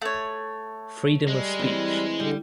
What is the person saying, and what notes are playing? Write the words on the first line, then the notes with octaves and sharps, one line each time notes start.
Freedom of speech.
A3 C#5
G3 G#3
E3 C4
D3 G3